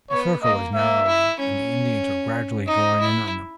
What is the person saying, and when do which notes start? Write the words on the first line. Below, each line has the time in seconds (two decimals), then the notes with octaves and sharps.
The circle was narrowing, and the Indians were gradually drawing in on them.
0.11 B3 C#5
0.42 A#3 D#5
0.75 A#3 E5
1.07 E4
1.39 C#4
2.68 D#4 D#5
3.01 E4